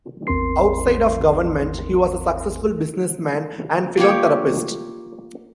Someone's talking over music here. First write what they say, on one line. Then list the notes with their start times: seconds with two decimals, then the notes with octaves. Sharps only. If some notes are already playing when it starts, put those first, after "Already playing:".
Outside of government, he was a successful businessman and philanthropist.
0.27 A1 E2 C4 A#4 C6 C7
3.97 A#3 F4 G4 C#5